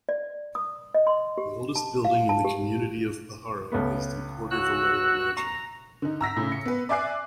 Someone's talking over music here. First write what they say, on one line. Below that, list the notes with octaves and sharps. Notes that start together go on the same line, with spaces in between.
The oldest building in the community of Pajaro is the Porter-Vallejo Mansion.
D5
D#6
D#5
C6
G4
A5
F5
A5
G4
C#2 A3 B3
F#4 E6 F#6
A#5 C#6
D3 D#4
A#5 E6 A#6 B6
A2 C#3
C#7
B3 B4
D5 E5 G#5 D6 F#6 C7